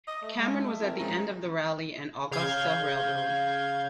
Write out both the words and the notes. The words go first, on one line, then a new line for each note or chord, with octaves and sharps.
Cameron was at the end of the Raleigh and Augusta Railroad.
D#5
A3
G#3
C4 E4 A#4
F3 G#3 C#4 A#5
C#3 F5 G6 G#6